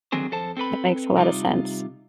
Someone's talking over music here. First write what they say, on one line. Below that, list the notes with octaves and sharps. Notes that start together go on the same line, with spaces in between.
That makes a lotta sense.
D3 D#3 F#3 C4 G#4 C5
F2 A4 C5 A5
C4 A4 B4 B5
C3 G3 D#4 F4